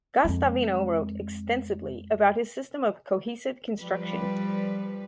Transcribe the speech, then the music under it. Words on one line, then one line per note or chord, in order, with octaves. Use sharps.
Guastavino wrote extensively about his system of "Cohesive Construction".
F2 G#3
F3 G3 B4